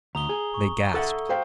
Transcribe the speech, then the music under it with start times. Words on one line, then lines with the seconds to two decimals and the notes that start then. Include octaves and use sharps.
They gasped.
0.15 D2 A#5 D#6 G7
0.29 G#4
0.54 C#6
0.94 A4 E5 F#5
1.29 C5 F5 G5